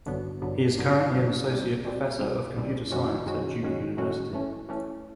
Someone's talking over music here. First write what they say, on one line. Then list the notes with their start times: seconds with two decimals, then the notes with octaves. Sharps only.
He is currently an associate professor of computer science at Duke University.
0.06 A1 G2 D3 F#3 B3
0.42 A1 G2 D3 F#3 B3
0.77 A1 G2 D3 F#3 B3
1.13 A1 G2 D3 F#3 B3
1.48 C2 B2 G3 C4
1.84 C2 B2 G3 C4
2.19 C2 B2 G3 C4
2.56 C2 B2 G3 C4
2.90 F#2 D#3 G#3 C#4 F#4
3.26 F#2 D#3 G#3 C#4 F#4
3.62 F#2 D#3 G#3 C#4 F#4
3.97 F#2 D#3 G#3 C#4 F#4
4.33 E3 A3 C#4
4.69 E3 A3 C#4